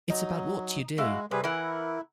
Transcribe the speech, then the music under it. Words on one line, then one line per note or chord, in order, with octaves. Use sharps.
It's about what you do.
F#3 D#4
G#3 E4 F#4 F5
C3 G3 G#4 B4
E3 E4 A#4 F#5